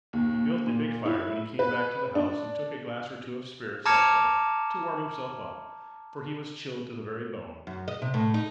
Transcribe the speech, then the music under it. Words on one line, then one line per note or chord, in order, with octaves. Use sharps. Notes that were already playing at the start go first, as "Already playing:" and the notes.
He built a big fire when he came back to the house and took a glass or two of spirits also, to warm himself up, for he was chilled to the very bone.
D#2
A#2
E4
B4
D4
A5 A#5 D6 F6 G#6 C#7
F#2
D#5
C3
A2
D#4